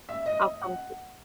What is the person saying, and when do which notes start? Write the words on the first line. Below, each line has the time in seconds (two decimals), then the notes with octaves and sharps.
I'll come to"
0.09 E5
0.26 D#5
0.62 F#5